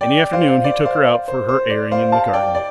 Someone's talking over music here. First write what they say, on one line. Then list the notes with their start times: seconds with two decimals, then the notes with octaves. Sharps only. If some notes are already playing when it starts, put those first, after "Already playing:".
In the afternoon he took her out for her airing in the garden.
0.01 D5 G5
0.33 C5 F5
0.64 D5
0.85 C5 F5
1.28 C5
1.49 C5
1.70 D5
1.91 C5 F5
2.12 F5 A5
2.33 D5 G5
2.55 D5